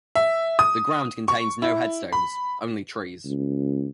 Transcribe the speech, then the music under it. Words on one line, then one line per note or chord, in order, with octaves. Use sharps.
The ground contains no headstones - only trees.
E5
D#6
C#6
E4
B5
C#2